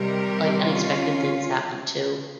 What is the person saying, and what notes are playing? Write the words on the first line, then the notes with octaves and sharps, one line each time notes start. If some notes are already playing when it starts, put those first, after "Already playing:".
like, unexpected things happen, too.
Already playing: C3 D#3 G3 G4 A#4
C#4 F4